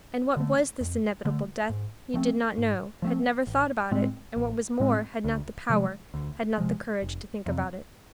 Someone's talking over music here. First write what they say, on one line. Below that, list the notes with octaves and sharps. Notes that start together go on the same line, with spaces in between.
And what was this inevitable death--he did not know, had never thought about it, and what was more, had not the power, had not the courage to think about it.
D3 A3
F2
D3 A3
G#2
F3 A3 C4
G#2
F3 A3 C4
A1
A2 G#3 C4
A1
A2 G#3 C4
D2
C3 F3 G#3
D2
C3 F3 G#3
F1
F2 C3